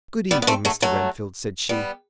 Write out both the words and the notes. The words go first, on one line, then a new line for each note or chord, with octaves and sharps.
"Good-evening, Mr. Renfield," said she.
G3 B3
B3
A3 C4
F#3 A3
F#3 A3
G3 B3